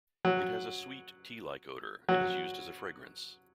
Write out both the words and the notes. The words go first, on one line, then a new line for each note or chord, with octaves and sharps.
It has a sweet, tea-like odor and is used as a fragrance.
F#3
F#3